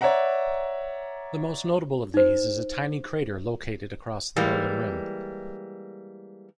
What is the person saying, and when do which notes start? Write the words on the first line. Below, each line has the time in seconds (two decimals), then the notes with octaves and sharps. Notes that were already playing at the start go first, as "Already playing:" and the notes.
The most notable of these is a tiny crater located across the northern rim.
0.01 C#5 D5 E5 F#5 A#5
2.14 D#4 C5
4.36 E3 G3 G#3 A#3